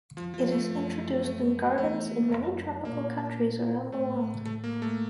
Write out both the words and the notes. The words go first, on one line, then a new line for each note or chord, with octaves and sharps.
It is introduced in gardens in many tropical countries around the world.
F2 F3
F3
A3
F#2
A3
E2 A3
F#2
A#2 A#3
A2 A3
A3
A#3
A3